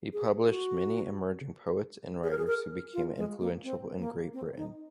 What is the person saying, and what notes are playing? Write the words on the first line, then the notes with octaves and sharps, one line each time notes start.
He published many emerging poets and writers who became influential in Great Britain.
G#4
F#4
G#4
A#4
G#4
A#4
F4
G#3
A#3
C4
A#3
C4
D#4